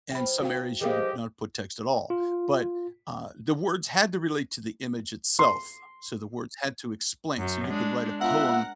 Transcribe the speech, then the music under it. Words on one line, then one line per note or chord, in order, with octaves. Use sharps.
and some areas, you would not put text at all, but, uh, the words had to relate to the image itself, so the words had to explain, so you could write a poem
F3 G5 B5
D#3 F#4 F5 G5
E3 F3 G3 G4 G#4 A#4 D#5 F5
F4
C6
F#2
G#3 D4
B3 F4 A#4 E5 F#5